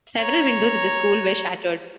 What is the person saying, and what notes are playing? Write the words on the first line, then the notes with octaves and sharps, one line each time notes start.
Several windows at the school were shattered.
C#5 A#5